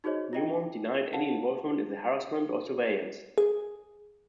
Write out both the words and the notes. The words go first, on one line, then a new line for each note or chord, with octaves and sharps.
Newmont denied any involvement in the harassment or surveillance.
D#4 F#4 G#4 C5 C#5 D#5
F4 D#5 G5
F5 F#5 A5
G#4